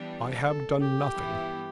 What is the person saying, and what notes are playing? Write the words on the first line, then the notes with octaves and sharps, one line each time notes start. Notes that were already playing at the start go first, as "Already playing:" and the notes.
I have done nothing.
Already playing: E3 G3 B3 D4 G4
A4
G4
G2 E3 B3 E4